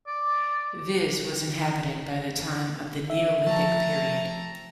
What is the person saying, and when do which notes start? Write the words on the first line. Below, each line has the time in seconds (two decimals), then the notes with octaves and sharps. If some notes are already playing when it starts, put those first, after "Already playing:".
Vis was inhabited by the time of the Neolithic period.
0.07 D5
3.10 E5
3.47 F3 A3 G5 A5 A#5